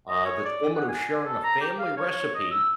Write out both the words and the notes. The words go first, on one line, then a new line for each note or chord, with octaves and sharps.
Uh, this woman was sharing a family recipe,
D#5
C#5
D5
F#5
G#5
A4
A#5
G4
F5
C#5
D#5
E6